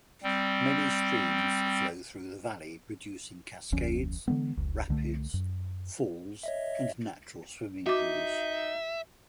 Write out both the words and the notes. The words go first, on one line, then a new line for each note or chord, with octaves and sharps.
Many streams flow through the valley, producing cascades, rapids, falls and natural swimming pools.
G3 C4
F1 D2 F3 C#4
D3 E3 G#3 B3
F1 C#2
C2 D3 F#3 A3
F#2
C#5 D#5 E5
D#4 F#4 E5 D6